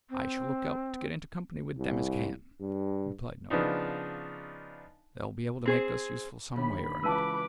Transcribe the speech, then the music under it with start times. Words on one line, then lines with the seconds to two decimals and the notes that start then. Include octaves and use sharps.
'I shall look out to get into company with them as can,' replied Noah. 'They'll be able to make us useful some way or another.
0.10 C4
1.78 C2
2.60 G2
3.50 C#3 F3 B3 D4 D#4
5.66 C4 G#4 C5
6.57 D#2 D3 D#3 B5
7.04 C#2 E3 B4 A5 D6 E6 D#7